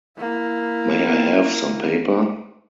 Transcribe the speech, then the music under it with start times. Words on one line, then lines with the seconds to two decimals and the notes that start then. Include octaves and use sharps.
May I have some paper?
0.18 A#3 E4